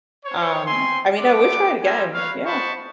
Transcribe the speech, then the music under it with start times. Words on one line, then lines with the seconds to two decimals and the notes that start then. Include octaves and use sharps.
Um, I mean, I would try it again, yeah,
0.25 C5 C#5
0.66 C4 G#5 C6
1.19 A3 B3 C4 D4 D6
1.83 G3 F4 A#4 C5 E5 G#5
2.14 B4 C#5 F5
2.45 C5 D#5 F#5 A5 B5 C#6